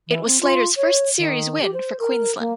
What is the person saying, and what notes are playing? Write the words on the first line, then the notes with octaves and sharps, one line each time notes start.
It was Slater's first series win for Queensland.
E3
C4
F4
C#5
D#3
G4
C5
A#4
A#3